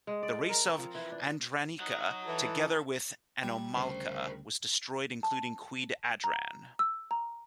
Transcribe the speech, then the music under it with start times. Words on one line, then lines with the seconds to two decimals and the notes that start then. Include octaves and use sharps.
The Race of Adranika together with Anomalka was destroyed including Queen Adran.
0.07 G#3
0.23 D5
0.49 A#4
0.66 C4
0.78 F3
0.95 E3
1.12 D4
1.80 D#4 C#5 F#5
2.26 E3 A4
3.43 G3
3.76 D2 C#3 A#4 C5
5.23 A5
6.24 A#5
6.79 E6
7.11 A#5